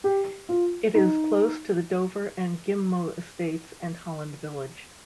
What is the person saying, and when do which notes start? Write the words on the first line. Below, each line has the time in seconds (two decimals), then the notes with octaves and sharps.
It is close to the Dover and Ghim Moh estates, and Holland Village.
0.04 G4
0.49 F4
0.95 D#4